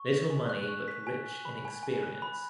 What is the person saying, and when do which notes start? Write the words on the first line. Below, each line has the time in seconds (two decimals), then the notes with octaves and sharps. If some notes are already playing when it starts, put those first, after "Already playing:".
Little money, but rich in experience.
Already playing: C#6
0.11 B6
0.30 G#5
0.49 F#6
0.68 C#6
0.88 B6
1.07 G#5
1.26 F#6
1.45 B5
1.65 G#5
1.83 G#5
2.03 F#6
2.22 B5